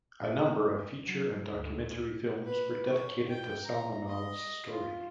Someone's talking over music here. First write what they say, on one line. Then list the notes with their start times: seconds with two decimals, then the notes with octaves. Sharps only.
A number of feature and documentary films were dedicated to Salmanov's story.
1.05 F#3
1.54 D2
2.46 B4
2.91 C#5
3.28 G5
3.64 A#5
4.07 D#5
4.70 F4